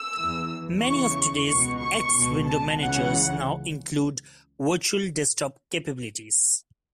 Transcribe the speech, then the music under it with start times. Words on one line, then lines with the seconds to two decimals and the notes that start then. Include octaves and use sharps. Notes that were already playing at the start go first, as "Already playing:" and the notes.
Many of today's X window managers now include virtual desktop capabilities.
Already playing: E6
0.15 E3
0.20 E2
0.81 E2 C#3 E3 C#6
1.47 C#2 B2 C#6
1.81 C#6
2.14 C#2 B2
2.46 A5
2.79 C#2 C#3 E3 F#5